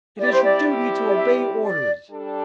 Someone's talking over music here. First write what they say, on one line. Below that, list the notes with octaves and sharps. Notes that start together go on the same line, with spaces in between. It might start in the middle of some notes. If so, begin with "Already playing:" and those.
"It is your duty to obey orders."
G3 C4 E4 G4 D5
C5
D5
D5
E5
D5
G3 D4 A4